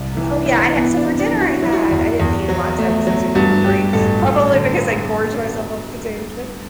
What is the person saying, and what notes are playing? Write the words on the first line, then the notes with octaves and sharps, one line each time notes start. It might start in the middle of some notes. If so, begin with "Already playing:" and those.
Oh, yeah, I had so, for dinner, I had I didn't eat a lot 'cause I wasn't super hungry, probably because I gorge myself on potato chips.
Already playing: C2
E3
D4
E3
E3 B3
D4
C3
D4
E3
F#4
F#3 E4
F#4
E4
E2
E2
F#3
A3
F#3
G2 F#4
G2 G4
A1 A4
A1
D3